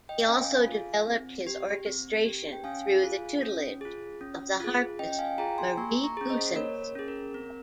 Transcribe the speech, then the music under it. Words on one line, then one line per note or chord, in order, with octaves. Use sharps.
He also developed his orchestration through the tutelage of the harpist Marie Goossens.
D#5 G5
C#4 F5 G#5
F4 G#4
C4
G4
C4
G4
G5
C#4 F5 G#5
F4 G#4
C#4
F4 G#4
C#4
F4 G#4
C#4 D#5 G5
G5
F5 G#5
F4 G#4 G5 A#5
G#5 C6
A#3 A#5 C#6
A#5 C#6
C#4 G#4
C5 D#5
A#3 A#4 C#5
A#4
C#4 G#4
A#4
C4 A#4